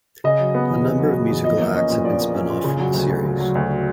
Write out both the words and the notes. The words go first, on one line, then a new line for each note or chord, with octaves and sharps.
A number of musical acts have been spun off from the series.
C#3 D#5
F#3
B3
E2
C#3
F#3
B3
E2
F3 D#5
A#3
C#4 D#5
A#2
F3 D5
A#3
C#4
A#2
C#3
F#3
D2
D2
C#3
F#3
D2